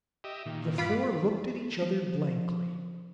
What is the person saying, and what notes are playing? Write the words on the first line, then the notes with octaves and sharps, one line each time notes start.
The four looked at each other blankly.
G4 D#5 E5
A#2 D#3
G2 F4 F#5 B5 D6
F3